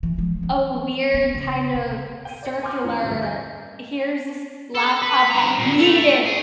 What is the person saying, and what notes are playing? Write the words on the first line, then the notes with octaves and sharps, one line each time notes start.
a weird, kind of circular here's this laptop that you needed.
E3
F3 G#3
E3 F#3
B3
C#3
C3
G5 D#7
D5 C#7
G#5 C6 D6 D#6 F6 G6
E2 C4 C#4
D2 G2
G#5 G6
A4
B4
G2 A#5
A#2 D3
A3
G#4